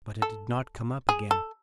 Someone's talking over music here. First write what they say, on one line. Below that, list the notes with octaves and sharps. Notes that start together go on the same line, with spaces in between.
But it did not come up again.
A4
G#4
A4